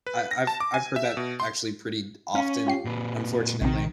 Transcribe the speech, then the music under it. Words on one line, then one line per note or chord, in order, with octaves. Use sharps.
I I've I've heard that actually pretty d often, unfortunately.
B4
A#6
A5
D6
G#5
E5
B2
C6
C#4 F5
F4 G4 C7
A#2 B4
A#1 C3 D#3